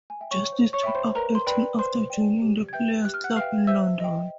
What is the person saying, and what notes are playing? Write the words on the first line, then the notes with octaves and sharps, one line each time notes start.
Justice took up acting after joining the Players' Club in London.
G#5
E5 G5
C#5 C#6
C5
C#5 C#6
E5 G5 B5
C5 C6
A#4 B4 A#5
C6
B4 D5 G5 B5
B4 C5 C6
D5 G5
G4
G#6
B4 E5 G5 G6
G4 F#6
F6
F#5 F#6
B4 E5 F5 G5 F6
C5 E5 E6
D#5 G5